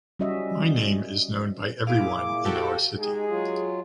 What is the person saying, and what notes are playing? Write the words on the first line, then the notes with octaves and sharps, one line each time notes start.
My name is known by everyone in our city.
G3 C#4 F#4 D#5 E5
A#2 E4 G#4 F5 D6
F#4 G4 A4
G#3 D#4 G4 G#4
F#3 F4